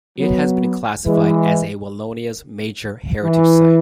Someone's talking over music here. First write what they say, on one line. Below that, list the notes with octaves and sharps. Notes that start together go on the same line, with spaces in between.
It has been classified as a Wallonia's Major Heritage site.
F#3 B3
E3 G#3
E3